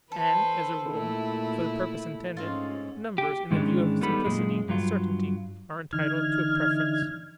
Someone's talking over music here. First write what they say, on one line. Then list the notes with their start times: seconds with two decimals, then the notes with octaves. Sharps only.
And, as a rule, for the purpose intended, numbers, in the view of simplicity and certainty, are entitled to a preference.
0.12 E3 A4 B4 C5
0.90 A#2 A3 E4
2.37 G#2 C4 C#4 F4
3.18 G4
3.51 G#2 D#3 E3 G#3 C#4 D4
4.01 G3 B3 D#4 A4 B5
4.25 F#2 A#2 G#3
4.69 G2 F#3 F4
5.93 D3 E3 D#4 F6 G#6